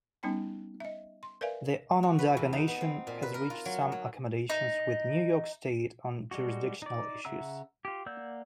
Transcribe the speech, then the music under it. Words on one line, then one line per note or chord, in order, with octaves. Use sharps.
The Onondaga Nation has reached some accommodations with New York State on jurisdictional issues.
G3 B3 C#4 D#4 G5 A5
D#5 E5
C6
A#4 B4 D5 E5 F5 G#5
F#4
B4
E2
D#4
B3
C4
A#2
B4
A#4
F4
F#3
F#3
D#4
G3 G#3 D4 F#4
D#4 D5
C#3 E5 F#5 A#5 E6
F4 G4
A#3 D5 F#5 E6 G6